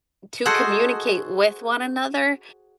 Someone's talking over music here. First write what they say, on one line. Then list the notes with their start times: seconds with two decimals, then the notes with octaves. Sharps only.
to communicate with one another,
0.45 F#4 G#4 A4 C5 D#5 F#5